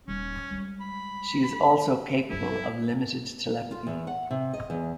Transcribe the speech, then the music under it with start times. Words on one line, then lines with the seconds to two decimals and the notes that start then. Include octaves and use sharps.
She is also capable of limited telepathy.
0.08 D#1 G3 C#4
0.51 G3 G#3
0.81 B5
2.30 G#1 G2 E4
3.71 F4
3.87 E2
4.07 F#5
4.31 C3
4.53 D#5
4.70 E2